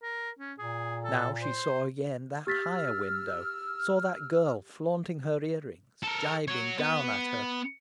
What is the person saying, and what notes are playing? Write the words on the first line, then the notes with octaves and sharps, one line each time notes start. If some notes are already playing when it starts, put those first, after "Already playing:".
Now she saw again that higher window, saw that girl flaunting her ear-rings, gibing down at her.
A#4
C#4
A#2 G#4
A4
C5
G4 E6 F6 A6 B6
A4 A#4
F#4 C#5
B3